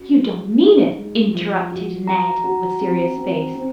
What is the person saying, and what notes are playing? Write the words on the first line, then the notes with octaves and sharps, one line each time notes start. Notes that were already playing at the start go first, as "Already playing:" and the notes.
"You don't mean it?" interrupted Ned with serious face.
Already playing: C#4 F#4
G#3
D#4
G#3
F3
F#4
F#4 A#5
F#4
C4
C4
C4